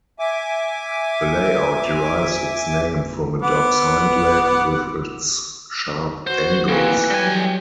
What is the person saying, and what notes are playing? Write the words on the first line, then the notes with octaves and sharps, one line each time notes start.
The layout derives its name from a dog's hind leg, with its sharp angles.
E5 G#5 D6
B3 F#5 D6
F#4 C5
E3 A#3 C4
F#3 G3 G4 G#5